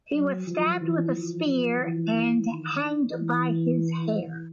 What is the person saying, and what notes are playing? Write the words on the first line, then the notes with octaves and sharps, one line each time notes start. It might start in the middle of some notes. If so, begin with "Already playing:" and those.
He was stabbed with a spear and hanged by his hair.
F#3
F3
E3
F3
E3
E3
D#3
E3